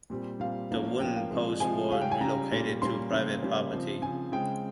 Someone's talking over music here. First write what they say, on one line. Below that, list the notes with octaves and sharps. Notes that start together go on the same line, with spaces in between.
The wooden posts were relocated to private property.
A#2 G3 C4
A#2 G3 C4 F5
F3 A#3 C#4
F3 A#3 C#4 G5
F5
C3 F3 G#3
C3 F3 G#3 G#5
C#3 G3 C#4 F5
G5
G#5
C#3 G3 C#4 A#5
A#2 G3 A#3 C#4
A#2 G3 A#3 C#4 C6
C#3 G3 A#3 C#4
C#3 G3 A#3 C#4
C#3 F3 C4
C#3 F3 C4 G#5
C#3 G#3 C4 G5